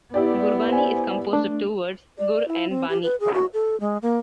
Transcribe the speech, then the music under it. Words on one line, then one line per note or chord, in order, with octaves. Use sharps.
Gurbani is composed of two words: 'Gur' and 'Bani'.
B3 E4 G4 D5
C5 G#5
A3 D4
D5
E4
C4
G4
B4
G#4
F#4
A4
G#3
A#3